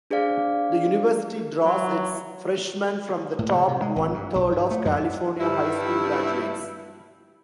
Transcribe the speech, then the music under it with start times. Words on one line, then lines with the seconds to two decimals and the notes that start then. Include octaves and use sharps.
The university draws its freshmen from the top one-third of California high school graduates.
0.11 D4 G#4 C5 D5 F5
1.64 F#3
3.39 A2
3.54 C#3
3.68 C3
3.82 G#3
3.96 G#1
4.14 G2
4.35 B1
4.52 G#2
4.71 A3
4.85 F#2
5.40 G2 E4